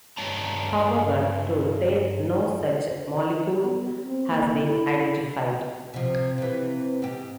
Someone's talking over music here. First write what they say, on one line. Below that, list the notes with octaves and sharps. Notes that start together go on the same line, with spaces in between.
However, to date no such molecule has been identified.
G2 D4 C#5 A5 A#5
B3
C4
A#3
E4
C3 F3
C3 E3
G#2 G4